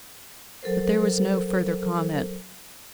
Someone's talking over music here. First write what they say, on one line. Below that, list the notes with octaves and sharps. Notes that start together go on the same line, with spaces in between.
But there was no further comment.
F#3 A4 A#4 C5